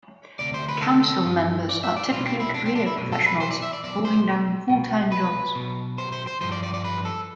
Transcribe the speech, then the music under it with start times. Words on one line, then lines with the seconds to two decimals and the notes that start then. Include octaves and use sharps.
Council members are typically career professionals holding down full-time jobs.
0.39 D2 C3 D5
0.54 C5
0.69 B4
0.82 A4
1.25 G2 F3
1.69 D5
1.83 E5
1.97 D5
2.11 C2 B2 F4
2.25 C4
2.40 E4
2.54 D4
2.65 C4
2.75 D4
2.87 E4
2.98 B1 B2
3.12 A4
3.26 B4
3.40 C5
3.51 D5
3.62 E5
3.73 D5
3.84 B1 B2 D5
4.05 C5
4.70 C2 B2
5.12 B4
5.55 B1 B2
5.98 C5
6.12 C5
6.27 C5
6.41 G2 F3 C5
6.52 D5
6.63 D5
6.74 D5
6.84 B4
7.05 A4